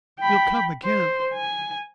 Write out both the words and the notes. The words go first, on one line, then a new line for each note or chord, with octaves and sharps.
"You'll come again?"
G5 B5
C5
G#5